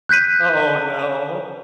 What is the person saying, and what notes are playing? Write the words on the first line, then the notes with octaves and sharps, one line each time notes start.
Oh, no.
F#6 G6 B6 D#7